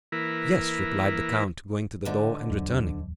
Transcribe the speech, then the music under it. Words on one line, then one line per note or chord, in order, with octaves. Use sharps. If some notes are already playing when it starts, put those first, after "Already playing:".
"Yes," replied the count, going to the door, and returning.
E3 A#3 E4 A#4 B4
G#2 D3
D1 E2 F#3